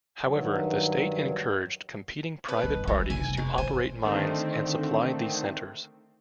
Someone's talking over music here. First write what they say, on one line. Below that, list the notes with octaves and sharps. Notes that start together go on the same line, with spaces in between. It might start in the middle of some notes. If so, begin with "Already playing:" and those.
However, the state encouraged competing private parties to operate mines and supply these centers.
G2 D#3 F#3
B2 B4
G2
E3 G#3
F1 G#5
G#2 B2 G#3
C#3 E3 C5 G#5
D3 D#3 A3 C4